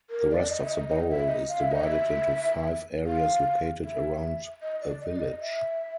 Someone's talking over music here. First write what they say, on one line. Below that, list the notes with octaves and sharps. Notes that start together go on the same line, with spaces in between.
The rest of the borough is divided into five areas located around a village.
A#4
D5
D5
D#5
E5
D#5
D#5
E5
D#5
F5
E5
D#5
E5
F5
E5
D#5
D5
D#5
D5
D#5
E5